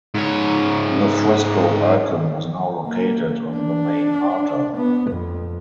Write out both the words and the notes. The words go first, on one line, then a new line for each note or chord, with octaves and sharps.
The frescoed icon was now located on the main altar.
G#2 C#5
A#3
D4
B3
F2